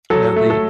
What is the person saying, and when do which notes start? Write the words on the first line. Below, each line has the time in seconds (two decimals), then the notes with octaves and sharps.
No, the
0.10 F#3 A4
0.36 A3
0.50 A4